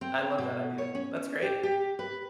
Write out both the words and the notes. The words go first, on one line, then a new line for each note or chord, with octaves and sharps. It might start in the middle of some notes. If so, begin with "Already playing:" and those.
I love that idea. That's great.
C4
B2
C#5
C#4
G4
G4
B4